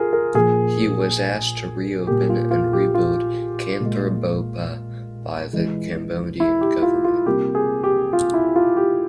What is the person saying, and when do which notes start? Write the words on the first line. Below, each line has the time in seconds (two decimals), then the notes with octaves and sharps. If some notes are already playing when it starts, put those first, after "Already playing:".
He was asked to re-open and re-build Kantha Bopha by the Cambodian government.
Already playing: F4 G#4 A#4
0.13 A#4
0.34 A#2 F3 A#3 G#4
2.07 A#2 G3 A#3 G4
2.29 F4
2.51 F4
2.73 G4
2.94 F4
3.80 A#2 G#3
5.53 E3 G#3
6.40 E4
6.61 G4
6.82 F4
7.04 F4
7.26 C3 G3 A#3 G4
7.55 G#4
7.84 G4
8.13 F4
8.34 E4
8.56 F4
8.77 G4